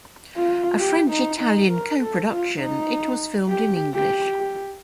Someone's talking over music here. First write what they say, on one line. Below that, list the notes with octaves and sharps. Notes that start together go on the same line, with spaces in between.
A French-Italian co-production, it was filmed in English.
F4
G4
D#4
D#4
A#4
A4
F4
D#4
G4
G4
G4